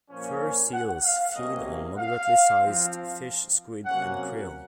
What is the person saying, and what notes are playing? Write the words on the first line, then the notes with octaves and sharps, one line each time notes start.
Fur seals feed on moderately sized fish, squid, and krill.
A#2 F3 A#3 C#4
F#5
F5
C3 F#3 A#3 C#4 D#5
F5
F3 C4
C3 F#3 A#3 C#4 F#5